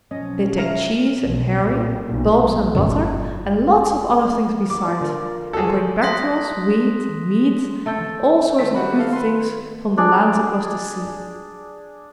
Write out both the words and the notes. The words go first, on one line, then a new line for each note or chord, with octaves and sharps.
"They take cheese and herring, bulbs and butter, and lots of other things besides, and bring back to us wheat and meat and all sorts of good things from the lands across the sea."
B1 F3 F#3 C#4 D#5
E5 F5 A#5
B1
A#2
B1
G1 F#2 A#2 D3
D6
F4 D5
D3 A#4
F#4 G#4 A4
C5
C6 D#6 F#6 A#6 B6
A3 A4 G5
D#3 A3 B6
G3 F#4 B5
A4 F5
B4 C6
D4 G#4 D5